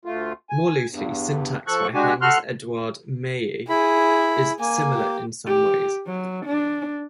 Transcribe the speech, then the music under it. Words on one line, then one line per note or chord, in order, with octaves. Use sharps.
More loosely, Syntax by Hans Eduard Meier is similar in some ways.
D2 A3 F4
G#5
E2 G2
F3 A4 C#6 F#6
G#3 D4 F#4 G4 G#5
F#4 A4 C6 F6 F#6
E4 G#4 B5
A#3 G#5
G4
G4
F#3
D4